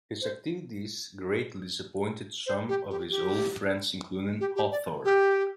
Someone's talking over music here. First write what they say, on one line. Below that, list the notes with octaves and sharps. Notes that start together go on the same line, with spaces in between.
His activities greatly disappointed some of his old friends, including Hawthorne.
C5
C5
G4
G4
G4
G4
G4
D5
G4